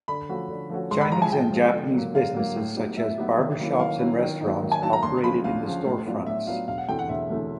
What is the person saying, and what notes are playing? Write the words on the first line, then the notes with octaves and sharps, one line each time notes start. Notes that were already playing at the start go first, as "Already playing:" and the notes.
Chinese and Japanese businesses such as barbershops and restaurants operated in the storefronts.
D3 B5
F3 A3 C#4 F#4
D3
F3 A3 C#4 F#4
G#2 C6
B5
F3 G#3 A#5
G#5
G#2 G5
F3 G#3
D3
F#3 A#3
D3 F5
F#3 A#3
A2
F#3 B3 D#4 G4
A2 E5
F#3 B3 D#4 G4
D#3
F#3 A#3 C#4 E4
D#3 F5
F#3 A#3 C#4 E4
D#3
F#3 A#3 D#4
D#3
G#5
F#3 A#3 D#4 A5
A#5
D2 C6
C#3 F3 B5
D2 F5
C#3 F3
A2
F#3 B3 D4 F4
A2 E5
F#3 B3 D4 F4 F5
E1 F5
F#5
D2 C3 E3 A3 G5
F#5
E1 E5
D2 C3 E3 A3